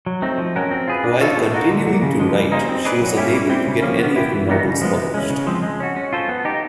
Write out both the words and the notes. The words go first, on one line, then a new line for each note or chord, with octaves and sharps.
While continuing to write, she was unable to get any of her novels published.
F#3
A3 C4 D#4
F3
G#3 C#4 F#4 A#4
C4
F4 G#4 B4
D4
F4 A4 C#5 E5
B3
D#4 F#4 A#4
D3
F#3 A#3
C#3
F3 G#3
G3
A#3 D#4 G#4 C5
C4
D#4 G#4 B4 D5
F#3
A#3 C#4 E4 G4
G3
C4 E4
C#3
F3 A#3 C#4
B3
E4 G4
E3
G3 B3 D#4 F#4
C#3
F3 G#3 B3
E3
G#3 C#4
C#3
F3 G#3 C4
G#3
C#4 F#4
C#4
F4 A4 C5
B3
D#4 G4